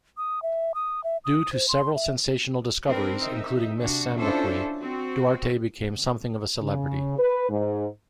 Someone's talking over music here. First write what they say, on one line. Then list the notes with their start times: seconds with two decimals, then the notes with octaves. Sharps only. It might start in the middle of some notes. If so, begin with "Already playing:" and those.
Due to several sensational discoveries including "Miss Sambaqui", Duarte became something of a celebrity.
0.17 D#6
0.43 E5
0.75 D#6
1.04 E5
1.25 D#6
1.53 C5
1.69 C6
1.95 E5
2.88 C4 D4 A#4 B4
3.22 D#4 E5
3.80 C3 D4 F#4
4.17 C#4 D4 E4 F4 A4 C5
4.81 C4 F#4
6.62 C#3
7.18 B4
7.49 G#2